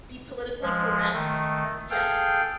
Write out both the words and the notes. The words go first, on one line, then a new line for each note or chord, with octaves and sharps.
Be politically correct? Yeah.
F3 G#3
D#3 A3
G#4 A4 F5 G5